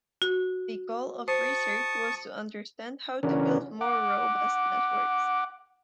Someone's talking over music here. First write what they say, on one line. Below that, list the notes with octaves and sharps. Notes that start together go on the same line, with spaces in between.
The goal of research was to understand how to build more robust networks.
F#4
C5 A5 C#6 D#6
C#3 E3 C#4 D4 F#4 A#4
F#5 D6